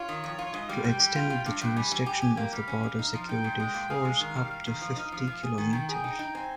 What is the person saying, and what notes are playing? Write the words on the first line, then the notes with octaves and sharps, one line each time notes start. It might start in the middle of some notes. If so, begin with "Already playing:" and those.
To extend the jurisdiction of the Border Security force up to fifty kilometres.
Already playing: F4 C#5
D#3
F2
F4
C#5
G#2 D#5
G3 F5
G3 G5
G3
F4
F4
G2 F5
G2 G5
G3 G#5
G3
G4
G4
A#3 G5
G3 F5
C#4
G3
D#4
F3
D#4 G5
G#2
G#3
A#2
G#4 F5
G#3
D#3
G3
G3 F5
D#3
F3
D#4
F3 F5
F3
G#4
D#3 G#5
D#3 G5
G#4 G5
D#4
D#4
C4 G#5